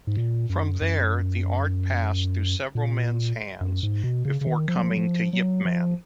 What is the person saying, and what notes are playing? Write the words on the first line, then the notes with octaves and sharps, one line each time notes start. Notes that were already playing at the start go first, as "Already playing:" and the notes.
From there, the art passed through several men's hands before coming to Yip Man.
G#2
A#2
F#2
F#2
A#2
F#2
G#2
B2
C#3
C#3
D#3
F3
F#3
F3
F#3
F3
F#3
F3